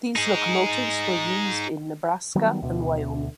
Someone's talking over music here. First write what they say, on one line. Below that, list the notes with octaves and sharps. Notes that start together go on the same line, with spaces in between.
These locomotives were used in Nebraska and Wyoming.
D#4 G#4
D#3 F#3 G3 B3
D2 B2